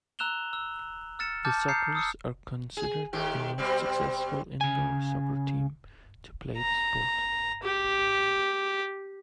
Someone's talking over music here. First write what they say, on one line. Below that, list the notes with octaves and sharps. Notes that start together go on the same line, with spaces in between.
The Sockers are considered the most successful indoor soccer team to play the sport.
A#5 E6 F#6 E7 F7 G7
E6
E6 F6 A6 C#7 E7
A5 D6 F6 G6 A6
A#5 D#6 F6 G6 C7 C#7
D#6 E6 C#7
G#4
G#2 D#3 G4
B2 G3 C4
C#3 G#5
A#5
G4